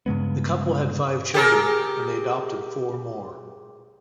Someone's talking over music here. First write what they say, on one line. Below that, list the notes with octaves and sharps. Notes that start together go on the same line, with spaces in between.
The couple had five children, and adopted four more.
G2 C#3 G#3 B3
G4 G#4 A#4